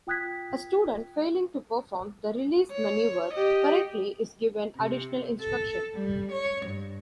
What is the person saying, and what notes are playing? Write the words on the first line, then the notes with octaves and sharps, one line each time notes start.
A student failing to perform the release maneuver correctly is given additional instruction.
F4 G5 D#6 F#6 G#6 B6
C#5
G4 D#5
C3
A4
G3
C#5
G2